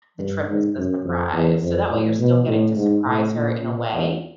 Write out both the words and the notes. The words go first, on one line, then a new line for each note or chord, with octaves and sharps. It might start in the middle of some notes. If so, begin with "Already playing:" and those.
The trip is the surprise. So that way you're still getting to surprise her in a way.
G2
G#2
F#2
F2
E2
F2
A2
B2
A2
G#2
A2
A#2
A#2
E2